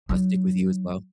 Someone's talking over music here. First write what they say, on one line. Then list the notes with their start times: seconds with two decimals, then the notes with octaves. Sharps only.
uh, stick with you as well?
0.09 F#3 D#4